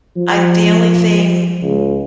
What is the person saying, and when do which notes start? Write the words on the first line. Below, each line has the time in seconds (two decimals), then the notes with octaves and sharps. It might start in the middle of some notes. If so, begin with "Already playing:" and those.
I the only thing,
0.16 F3
1.62 C#2